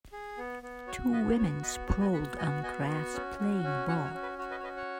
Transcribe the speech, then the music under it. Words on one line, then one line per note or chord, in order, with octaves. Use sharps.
Two women sprawled on grass playing ball.
G#4
B3
B3
F#4 C#5
B3 B4 D#5
F#4 C#5
B3 B4 D#5
F#4 C#5 F#5
D#5 G#5
B3 F#5 B5
F#4 D#5 G#5
B3 D#5 G#5
F#4
C#4
F#4
C#4
F#4 C#5 F#5
C#5
C#4
B4
F#4 C#5
B4 D#5
C#5
C#4 B4 D#5
C#5 F#5